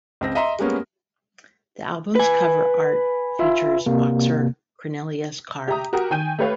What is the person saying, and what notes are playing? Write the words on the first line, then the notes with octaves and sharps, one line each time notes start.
The album's cover art features boxer Cornelius Carr.
C#2 C4 A#6
D#5 E5 A#5 C6
G3 G#3 A#3 B3 C#4
B4 G#5
F4 E5
C3 A#3
G4 E5 A#5 D#6
F#4 G4 A#4 D#6
D#3 G5 G#5 G6 D#7
A3 G4 B4 C#5 F5